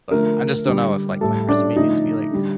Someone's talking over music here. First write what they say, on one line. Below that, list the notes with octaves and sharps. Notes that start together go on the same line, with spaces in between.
but I just don't know if, like, my resume needs to be, like, ch
D3 F3 A3 A#4
D3 G3
A2 G3 A4
D4
D3 F3 A3 D#4
D3 G3